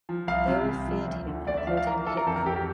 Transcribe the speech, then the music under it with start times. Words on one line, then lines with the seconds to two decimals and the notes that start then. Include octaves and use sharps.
They all feared him and called him Hitler.
0.09 F3
0.27 C2 F5
0.48 C3
0.68 C2
0.87 F3
1.08 D2
1.28 D3
1.47 D2 D5
1.57 E5
1.67 F3 F5
1.77 F5
1.86 E3 A#4
2.06 E3 A4
2.17 A#4
2.26 F2 A4
2.36 A#4
2.46 F2 G4
2.56 G4